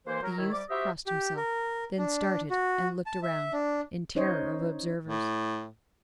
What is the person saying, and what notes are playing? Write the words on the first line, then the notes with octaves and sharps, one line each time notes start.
The youth crossed himself, then started and looked round, in terror of observers.
D#2 E3 A#3 C5
F#3 A#4
D#3 E4 C#5
C3 G3 D5 D6
F#4 G4 C5 D#5 E5
G4
A#4
D4
F#4
A5
E5
D4
C#4 D#4 C5 C#5 D#5
A2